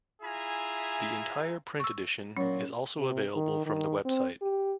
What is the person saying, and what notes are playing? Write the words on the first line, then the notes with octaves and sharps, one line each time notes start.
The entire print edition is also available from the website.
E4 F4 G#4 E5 G#5 A#5
C#6 E6
A#2 F#3 C#4
C3
D#3
D#3
C4
G4